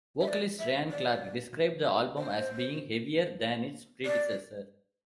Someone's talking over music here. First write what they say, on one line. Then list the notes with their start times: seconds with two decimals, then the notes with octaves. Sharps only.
Vocalist Ryan Clark described the album as being heavier than its predecessor.
0.21 E5
0.28 D5
0.59 E5
0.91 D5
2.18 C5
4.06 D5